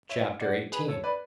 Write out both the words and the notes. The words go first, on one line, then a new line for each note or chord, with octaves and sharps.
Chapter XVIII.
C#5 E5
D5 F#5
G#4 B4
A4 C#5
B4 D5